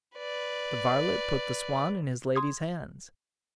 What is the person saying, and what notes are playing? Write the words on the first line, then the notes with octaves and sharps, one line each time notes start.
The varlet put the swan in his lady's hands.
B4 D5
C6 D#6 G#6